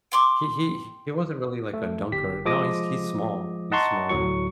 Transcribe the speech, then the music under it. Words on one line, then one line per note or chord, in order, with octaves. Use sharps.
he he he wasn't really, like, a dunker. No, he's he's small, he's smaller.
G5 C6 D6
A3
G1 G4 B6
F3 G#3 D6 D#6 A#6
D#5 F#5 A5 A#5 C6 C#6
D2 A2 F#3 C#6